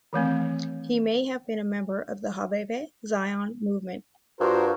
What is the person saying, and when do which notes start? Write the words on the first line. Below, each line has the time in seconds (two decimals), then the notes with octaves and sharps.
He may have been a member of the Hovevei Zion movement.
0.13 D#3 E3 A3 C4
4.40 G2 F4 F#4 A#4 C5